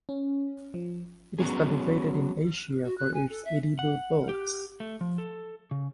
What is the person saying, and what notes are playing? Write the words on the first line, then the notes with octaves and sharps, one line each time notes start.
It is cultivated in Asia for its edible bulbs.
C#4
F3
F#3 B3 C#4 G#4
F#4
F#6
G#5
A4
E5
F#5
G4
A3
F3
A4
C#3